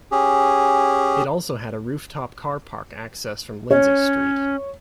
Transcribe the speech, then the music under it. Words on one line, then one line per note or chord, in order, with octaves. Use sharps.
It also had a roof-top car park accessed from Lindsay Street.
C#4 G4 G#4
C#4 C#5